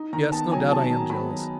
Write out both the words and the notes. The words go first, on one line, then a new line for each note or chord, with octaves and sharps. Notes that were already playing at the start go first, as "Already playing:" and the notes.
Yes, no doubt I am jealous.
Already playing: D#4
D#3 A#5
B3 A5
F#3 G#5
D#4 A5
A5
D#3
A#5
B3 B5
F#3